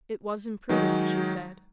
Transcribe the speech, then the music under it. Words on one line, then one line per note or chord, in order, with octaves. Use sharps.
"It was imprudent," she said.
D#3 F#3 G#3 D#4